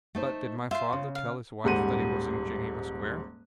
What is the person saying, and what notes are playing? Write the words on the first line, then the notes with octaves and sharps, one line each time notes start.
"But did my father tell his wife that he was in Geneva Square?"
A3 D#4 C5
F4 C5 E5
C#3
F5
D#1 G#2 G3 F#5 C6 D#7